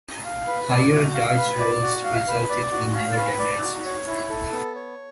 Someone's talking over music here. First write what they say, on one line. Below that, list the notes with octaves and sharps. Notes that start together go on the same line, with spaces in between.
Higher dice rolls resulted in more damage.
F5
B4
D5
F#4
F5
B4
D5
F#4
F5
B4
D5
F#4
F5
B4
D5
F#4
C#5
E4
A4
B3
C#5